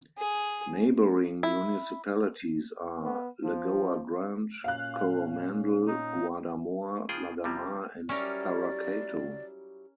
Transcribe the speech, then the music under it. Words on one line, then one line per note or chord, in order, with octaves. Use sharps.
Neighboring municipalities are: Lagoa Grande, Coromandel, Guarda-Mor, Lagamar and Paracatu.
G#4
E4
B3
F3
A#2 C#4 F5 F#6
D#4
C#3 F3 F4 G#4 G5
C3 F3 G3 A#3
F#3 G3 C#4 E4 A#4 D5